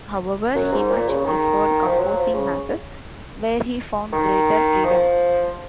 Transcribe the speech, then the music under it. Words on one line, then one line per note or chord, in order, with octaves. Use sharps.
However, he much preferred composing Masses, where he found greater freedom.
F#2
G#2
A#2
C#3
D#3
F3
F#3
F3
C#3
D#3
F3